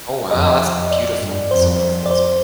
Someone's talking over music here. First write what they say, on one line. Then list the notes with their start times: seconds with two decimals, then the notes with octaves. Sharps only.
Oh, wow, that's beautiful, that's a wonderful husband.
0.31 F2 D#5
0.91 D5
1.21 G2
1.51 F2 C5
2.06 D5
2.11 C5